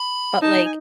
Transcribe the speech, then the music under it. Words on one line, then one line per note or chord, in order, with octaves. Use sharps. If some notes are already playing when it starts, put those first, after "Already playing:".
But like
Already playing: B5
D#4 A5
G#5